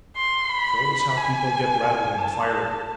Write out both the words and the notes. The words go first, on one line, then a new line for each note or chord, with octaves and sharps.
Shows how people get rattled in a fire.
C6
B5
G#5
A5